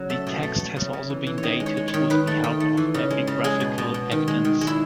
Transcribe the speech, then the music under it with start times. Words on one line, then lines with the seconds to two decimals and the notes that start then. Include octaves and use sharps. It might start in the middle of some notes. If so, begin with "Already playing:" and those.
The text has also been dated with the help of epigraphical evidence.
Already playing: C#3 F#3
0.10 A3 E5
0.27 B2
0.43 A3
0.59 A3
0.76 C#3
0.93 C#3
1.10 E3
1.27 E3
1.38 C#5
1.43 D#3 D#5
1.60 G#3
1.66 C#5
1.77 G#3
1.88 C#5
1.94 D#3
2.10 D#3 B4
2.27 A3
2.44 D#3
2.60 A3
2.77 E3
2.94 C#3
3.10 G#3
3.27 C#3
3.44 G#3 G#4
3.60 B2
3.78 B2
3.94 B2
4.11 D#3
4.28 G#3
4.45 D#3
4.61 G#3
4.67 E4